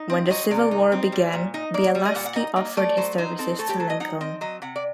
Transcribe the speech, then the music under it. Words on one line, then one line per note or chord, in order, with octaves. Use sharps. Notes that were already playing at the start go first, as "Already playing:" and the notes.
When the Civil War began, Bielaski offered his services to Lincoln.
Already playing: D#4
C4
F#3 D#5
C3 D5
D#4
C4
G3
A#2
D#4 D#5
A#3 D5
G3
D#5
A#2 F#5
F#5
D#4 D#5
A#3 D#5
A3 D5
F#3 C5
D#4 C5
C4 A4
A3 A4
G4
F#3 A4
D#5
D#4 F#5
C4 D#5
F#3 D#5
C3 F#5
D5